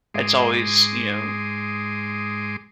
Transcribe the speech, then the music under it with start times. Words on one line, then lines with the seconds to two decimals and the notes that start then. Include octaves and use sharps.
it's always, you know,
0.14 G#2 G#3 C6 D6 D#6